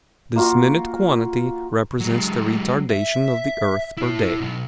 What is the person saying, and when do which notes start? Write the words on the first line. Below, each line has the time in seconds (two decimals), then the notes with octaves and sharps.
This minute quantity represents the retardation of the earth per day.
0.36 A#3 F4 F#4
2.00 F#3 G#3
2.90 E5
3.97 E4 C#5
4.41 B2 F#3